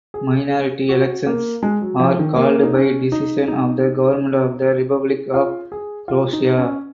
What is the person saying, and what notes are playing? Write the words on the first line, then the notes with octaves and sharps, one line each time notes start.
Minority elections are called by decision of the Government of the Republic of Croatia.
G#4
F#4
A#3
G#3
F#3
F3
D#3
A#3
D#4
C#4
D#4
D#4
F4
G#4
F4
D#4
C#4